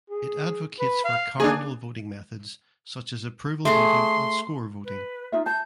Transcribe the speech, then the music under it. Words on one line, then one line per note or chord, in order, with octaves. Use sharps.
It advocates for cardinal voting methods such as approval voting and score voting.
G#4
B4
F5
A#3 D4 G#4
A3 G#4 C6
B4
D#4 F4 E5
A5 G6